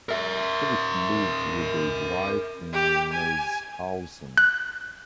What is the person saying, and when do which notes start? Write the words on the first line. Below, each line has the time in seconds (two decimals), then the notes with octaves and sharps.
Fürst lives with his wife in Merzhausen.
0.09 A#4 E5
2.73 G4
3.13 G#5
4.37 F#6